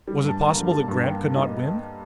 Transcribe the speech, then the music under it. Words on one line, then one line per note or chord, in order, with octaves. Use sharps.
Was it possible that Grant could not win?
G3
G2
A5
A#3
D3 A#5
G3 A5
G2
A#3 G5
D3
G3 D#5